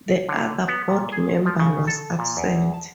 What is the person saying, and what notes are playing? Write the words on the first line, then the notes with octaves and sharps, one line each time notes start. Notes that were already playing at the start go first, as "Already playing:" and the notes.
The other board member was absent.
D#5
D3
B3
A#2
G#4
F3
C#3
A4
A#2
E2
A5